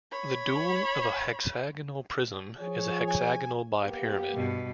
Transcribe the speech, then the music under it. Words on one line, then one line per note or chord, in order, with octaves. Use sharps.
The dual of a hexagonal prism is a hexagonal bipyramid.
C#5 B5
F3 G#4 C#5
G#5
A#3 B3 G4
G2 B2